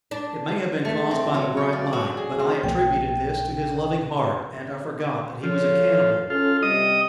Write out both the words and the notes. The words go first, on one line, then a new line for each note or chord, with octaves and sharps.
It may have been caused by the bright light, but I attributed this to his loving heart, and I forgot that he was a cannibal.
D4
A3
C4
F#3
C#5
D5
F#4
G#4
C4
B1 F3 A#3 G5
F3 F4 A4 C#5
C#4 F4 A4
C3 G3 D#5 D#6